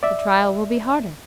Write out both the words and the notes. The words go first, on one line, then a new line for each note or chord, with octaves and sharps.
"The trial will be harder."
D5 E5